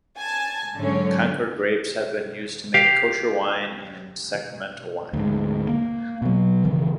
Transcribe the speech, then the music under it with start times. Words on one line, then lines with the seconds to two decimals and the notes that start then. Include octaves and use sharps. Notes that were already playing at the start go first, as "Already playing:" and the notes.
Concord grapes have been used to make Kosher wine and sacramental wine.
0.17 G#5 A5
0.76 G#2 D3 F#3 A3 C#4
2.74 G4 F5
5.13 D2 G#2
5.69 A#3
6.22 B2 F#3
6.64 G1 C#3 E3 F3